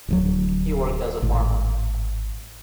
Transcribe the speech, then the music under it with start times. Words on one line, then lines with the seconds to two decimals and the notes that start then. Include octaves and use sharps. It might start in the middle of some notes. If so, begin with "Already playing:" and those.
He worked as a farmer.
0.08 D1 D2 F#3
1.22 G#1 A2